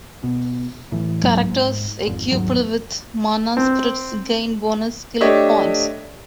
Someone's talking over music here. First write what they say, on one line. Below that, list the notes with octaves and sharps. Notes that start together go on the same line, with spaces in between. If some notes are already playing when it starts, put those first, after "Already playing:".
Characters equipped with Mana spirits gain bonus skill points.
B2
A2 E3
C#2 G#2 F#3 A#3
G#2
G#1 F2
D#2 G#2 F#3
C4
A3 D4 G4 C#5 D#5 E5